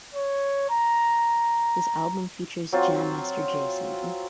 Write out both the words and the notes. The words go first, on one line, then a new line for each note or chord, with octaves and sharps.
This album features Jam Master Jay singing.
C#5
A#5
F#3 C4 F4